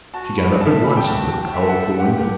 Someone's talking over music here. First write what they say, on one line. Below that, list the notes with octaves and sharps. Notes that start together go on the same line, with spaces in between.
She got up at once and looked out of the window.
F#4 A5
B5
A4 E5 A5
B5
G5
F#4 A5
G5
A4 E5
F#5
G4 F#5